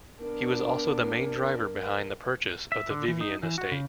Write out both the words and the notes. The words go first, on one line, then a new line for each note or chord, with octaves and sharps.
He was also the main driver behind the purchase of the Vivian estate.
B3 D4 A#4
E5
D3
E3
D#4
E3
F#4
C#3